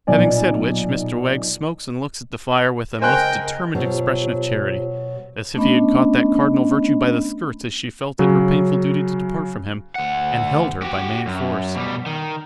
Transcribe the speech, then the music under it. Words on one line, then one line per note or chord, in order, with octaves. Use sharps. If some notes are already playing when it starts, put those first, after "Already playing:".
Having said which, Mr Wegg smokes and looks at the fire with a most determined expression of Charity; as if he had caught that cardinal virtue by the skirts as she felt it her painful duty to depart from him, and held her by main force.
B1 A#2 D5 G#5
C#3 A#4 C5 D#5 G5 G#5 F#6
B2 F#3 F4 G4 C5
A3 B3 C#4 D4 D#5 B5
C#3 F#3
D2 F#5
F#4 G4
F#2
B2 G3
D#3